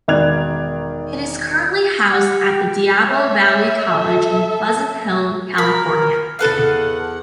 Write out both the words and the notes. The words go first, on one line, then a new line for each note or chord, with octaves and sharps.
It is currently housed at Diablo Valley College in Pleasant Hill, California.
E1 D#3 D5 F#6 G#6 F7
G4 F#5
G5
C#5 E5
A4
A#4 B5
E2 A4 B4 F5 F#5